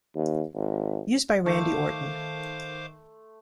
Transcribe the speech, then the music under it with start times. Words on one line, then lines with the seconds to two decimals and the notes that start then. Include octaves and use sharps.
Used by Randy Orton.
0.16 D#2
0.54 G#1
1.46 D#3 A3 C5 F5 C6 D6